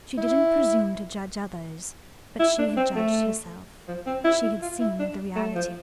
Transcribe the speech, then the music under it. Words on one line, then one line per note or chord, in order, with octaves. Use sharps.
She didn't presume to judge others, but she had judged herself; she had seen the reality.
E4
E4
D4
C4
A3
F3
C4
E4
E4
F4
E4
D4
A3
F3